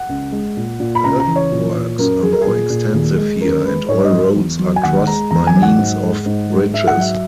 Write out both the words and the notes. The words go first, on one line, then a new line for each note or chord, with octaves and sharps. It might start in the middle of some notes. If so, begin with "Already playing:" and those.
Earthworks are more extensive here, and all roads are crossed by means of bridges.
Already playing: F#5
C#2
G#3
A#2
A#2
B5
C#2 A#5
A#5
E3
C#5
A#2
A#2
F#2 A#4
F#3 G#4
A#4
G#4
A#2
A#2
D#2
G#3
F#2 A#4
G#3 B4
G#2 C#5
D#5
F#3
E2
F#3
G#5
D#2 F#5
G#3 A#5
E2 A#5
G#5
F#3
F#5
G#2
G#3
G#2
G#3
G#2 E5
F#5
F#3 E5